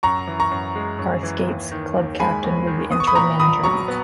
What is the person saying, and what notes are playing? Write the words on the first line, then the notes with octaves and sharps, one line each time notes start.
Garth Scates, Club captain would be interim manager.
F#2 A#5 C#6
E3
A#5 C#6
F#2
G#3
F#2
E3
D#2
D#3
D#2
G#3 G#5 B5
D#2
D#3
B3 D#6
C#6
B5 D#6
A#2 A#5 C#6
A#1 B5 D#6
F#3 A#5 C#6
B3